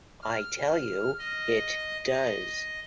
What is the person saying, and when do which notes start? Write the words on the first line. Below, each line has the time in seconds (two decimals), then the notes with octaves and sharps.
I tell you it does.
0.22 F6
1.19 D#5
2.03 D#5